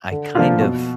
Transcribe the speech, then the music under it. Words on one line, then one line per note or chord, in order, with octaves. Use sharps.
I kind of
D3
F3 A#3 D4 F4
B2